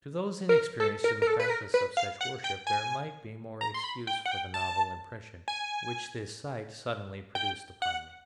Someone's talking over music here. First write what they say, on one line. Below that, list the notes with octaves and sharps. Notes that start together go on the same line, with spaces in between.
To those inexperienced in the practice of such worship there might be more excuse for the novel impression which this sight suddenly produced upon me.
A#4
A4
A#4
A#4
A4
B4
A#4
B4
F5
F#5
G5
G#5
A#5
C6
B5
G5
F#5
G5
A5
G#5
G5
F#5